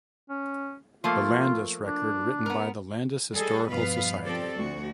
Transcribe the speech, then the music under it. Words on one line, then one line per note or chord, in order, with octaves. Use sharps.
The Landis Record written by the Landis Historical Society.
C#4
F3 A3 A#3 F4
D4
B3 A#4
G3 G#4 A4 D#5
G2 B2 F3 B3 B4 F5
F3 C4 G4 A4 D5
D2 F#4